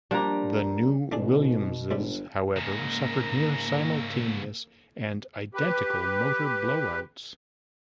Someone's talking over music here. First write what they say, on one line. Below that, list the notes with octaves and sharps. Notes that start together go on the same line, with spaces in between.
The new Williamses, however, suffered near-simultaneous and identical motor blow-outs.
F3 G3 A#3 D4 A#5
G#1 B2 A3 D4 G#4
G1 C#2 G#2 G3
G#2 C#3 A#3 A#5 E6
G4 B4